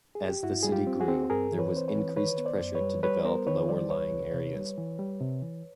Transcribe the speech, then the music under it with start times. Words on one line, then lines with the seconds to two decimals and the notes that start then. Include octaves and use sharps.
As the city grew, there was increased pressure to develop lower-lying areas.
0.15 G#4
0.29 G4
0.43 G2 E4 F#4
0.63 G3 G#4
0.72 F4 G4
0.87 C4
1.01 F#4 G#4
1.08 C4
1.30 G2 G#4 A#4
1.52 E3
1.59 B4 C#5
1.73 C4 C5
1.88 B4 C#5
1.95 E3
2.17 D#3 B4 C#5
2.38 B3
2.45 C5 D5
2.60 F#2
2.75 B4 C#5
2.81 G3
3.03 G3 B4 C#5
3.25 B3 A#4 C5
3.47 D#3 B4 C#5
3.69 G3 C5 D5
3.90 C#2 B4 C#5
4.12 C#2
4.33 C3
4.56 G3
4.78 E3
4.99 G3
5.21 C3
5.42 E3